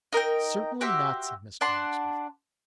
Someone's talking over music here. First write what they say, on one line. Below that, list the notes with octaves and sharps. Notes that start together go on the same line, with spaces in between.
Certainly not, said Mr Rokesmith.
D#4 A#4 D#5 G5
F#4 G4 C5 E5
D4 F#5 A5 C6